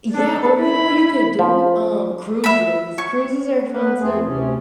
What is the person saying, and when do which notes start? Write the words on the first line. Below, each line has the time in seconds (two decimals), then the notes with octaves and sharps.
Yeah, or, you know what you could do? Um, cruises. Cruises are fun, too.
0.12 D4 A4
0.58 E4 B5
1.39 F3
2.44 E5 B5
2.98 C#5 C#6
3.72 B3 B4
3.99 F2 A3 C4 G#4
4.23 D2 C3 C#4